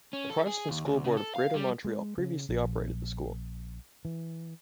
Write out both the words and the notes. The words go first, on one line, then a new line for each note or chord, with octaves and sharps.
The Protestant School Board of Greater Montreal previously operated the school.
C#4
A4
G#4
D#2
D2
C#3
A4
F5
G3
G#3
C#3
A#1
E3